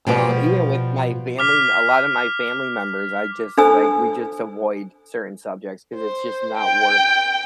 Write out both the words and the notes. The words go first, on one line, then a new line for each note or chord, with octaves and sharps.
um, even with my family m a lotta my family members, I just, like we just avoid certain subjects 'cause it's just not worth,
B2 F3 G3 B3
D6 F6 B6
D4 A4 C5 G#5 E6
C5
G5